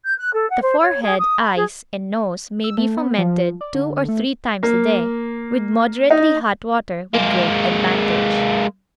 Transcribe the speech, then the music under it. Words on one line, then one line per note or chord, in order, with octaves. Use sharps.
The forehead, eyes, and nose may be fomented two or three times a day with moderately hot water with great advantage.
G6
F#6
A4
F#5
C5
C#5
G#4
D#6
B5
G#4
E6
A3
B3
F3
D5
D3
A3
A#3
D#4
G#3 A#3